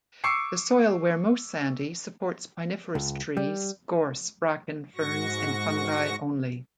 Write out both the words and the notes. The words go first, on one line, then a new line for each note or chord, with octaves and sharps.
The soil where most sandy supports pineferous trees, gorse, bracken, ferns and fungi only.
C#6 D6 E6 C7 C#7
C#2
G3
G#2 F#4 C#6 A#6